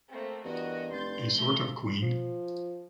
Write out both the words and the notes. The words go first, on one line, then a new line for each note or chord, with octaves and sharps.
A sort of queen.
A3 A#3 C4
E2 G2 F#4 A#4 D#5
F1 C6 G6 A6
F3 A3 G7
F3